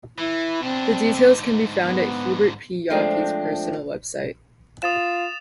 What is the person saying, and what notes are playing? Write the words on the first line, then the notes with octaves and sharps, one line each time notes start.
The details can be found at Hubert P. Yockey's personal website.
E3 E4
B2 C4 D4
G#2 D3
B3
F3 G#3 A3 C4 D4
F4 D#6 A6 E7